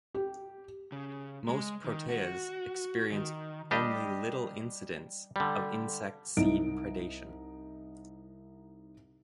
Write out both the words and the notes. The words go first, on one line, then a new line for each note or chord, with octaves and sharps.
Most proteas experience only little incidence of insect seed predation.
G4
C#3
G#3
D#3
F#4
D#3
G3 D4 G4 D#5
D3 G3
C2 D#4 D7